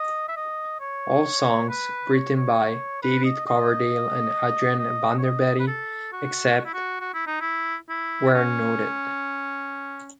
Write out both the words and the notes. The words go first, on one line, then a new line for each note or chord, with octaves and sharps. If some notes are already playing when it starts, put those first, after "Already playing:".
All songs written by David Coverdale and Adrian Vandenberg except where noted.
Already playing: D#5
E5
D#5
C#5
B4
C#5
C#5
B4
D#5
D#5
D#5
C#5
D#5
B4
A4
F#4
F#4
E4
F#4
F#4
E4
D#4
E4
E4
C#4